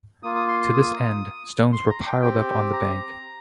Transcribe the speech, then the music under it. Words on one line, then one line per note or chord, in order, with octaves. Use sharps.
To this end, stones were piled up on the bank.
A#3 F4 D#6
D#6
C6
C6
D#6
C6
A#5
G5
C4 G4 G5
A#5